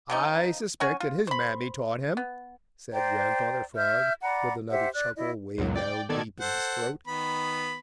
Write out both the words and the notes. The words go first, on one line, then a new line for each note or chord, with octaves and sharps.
"I suspect that his mammy taught him," said Grandfather Frog, with another chuckle way down deep in his throat.
C#3 F3 D#4
C#4 F#4 C#5 G#5
F4
C5 B5
B3
C5 D5 G5 A#5
E5 F6 G6
D5 F#5 A#5 B5
G4 C5 E5 F#5
D5 F#6
E4 D5 D#5
C#2 F#2 A#2 F#3
D5 G5
B2 D#3 A4 D5 G#6
A4 C5 F#5
D#3 B3 B5